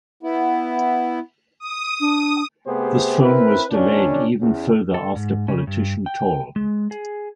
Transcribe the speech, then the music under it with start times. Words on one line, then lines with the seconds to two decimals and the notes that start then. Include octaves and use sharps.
The film was delayed even further after politician Thol.
0.23 B3 E4
1.59 D#6
2.00 D4
2.67 C3 A3 B3 G4 G#4 C5
3.22 C4 E4 A#4 B4
3.71 D#2 A#2 C#4 D4
4.40 E2 C#4
4.94 A4
5.15 G#2
5.48 C#3
5.67 G2
6.06 G5
6.56 G#3
6.91 G#4